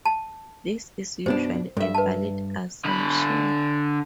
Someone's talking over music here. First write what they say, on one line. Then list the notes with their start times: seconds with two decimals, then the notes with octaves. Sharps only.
This is usually a valid assumption.
0.05 A5
1.26 F#2 B2 D4 C5
1.77 G2 A4 E5
1.95 B4 A5
2.85 D3 B5